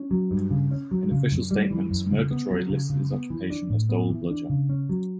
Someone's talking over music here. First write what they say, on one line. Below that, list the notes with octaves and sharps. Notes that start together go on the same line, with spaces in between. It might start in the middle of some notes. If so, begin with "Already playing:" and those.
In official statements, Murgatroyd listed his occupation as "dole bludger".
Already playing: C#4
F#3
G2
C#3
C#4
F#3
C#3
F#2
G3
E3
F#2
C#3
B3
F#3
C#3
C#3
B3
E3
D4
A2
B3
E3
D4
C#3
C#4
F#3